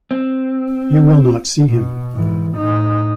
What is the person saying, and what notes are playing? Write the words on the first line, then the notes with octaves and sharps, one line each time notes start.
You will not see him.
C4
B2
G#2 E3
A2 D#4